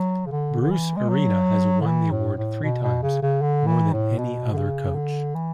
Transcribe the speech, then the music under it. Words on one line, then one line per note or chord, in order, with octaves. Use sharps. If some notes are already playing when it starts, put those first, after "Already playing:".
Bruce Arena has won the award three times, more than any other coach.
Already playing: F#3
C#3
D3
D3
E3
G#3
F#3
D3
E3
A2
A2
B2
B2
C#3
C#3
D3
E3
A2
B2
D3
C#3
D3
E3